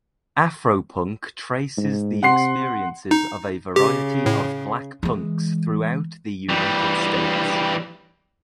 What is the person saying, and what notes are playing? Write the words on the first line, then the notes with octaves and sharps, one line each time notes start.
"AfroPunk" traces the experiences of a variety of black punks throughout the United States.
G#2
C3 F#5 C6 C7
D#4
C#3 G4
A2
E3 G#3
E3 G3